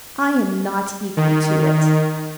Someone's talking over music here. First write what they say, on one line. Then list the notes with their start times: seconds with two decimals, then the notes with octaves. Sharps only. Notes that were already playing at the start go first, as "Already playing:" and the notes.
I am not equal to it.
1.17 D#3